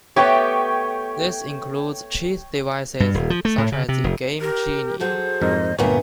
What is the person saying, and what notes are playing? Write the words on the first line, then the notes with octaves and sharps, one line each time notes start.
This includes cheat devices, such as the Game Genie.
A3 B3 G4 C#5 G5 C#6
G2
D#1
F3
A3
A2
C#3
C3
F1
G4 A#4
F#3 G#4 A4 C5
F2 G#2 A#4 D#5
D2 G2 A#2 A#3 B3 C#5 E5 G#5